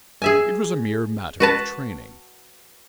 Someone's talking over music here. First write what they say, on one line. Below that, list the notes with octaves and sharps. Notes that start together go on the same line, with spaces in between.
It was a mere matter of training.
G#4 E5 G#5
F#4 B4 A5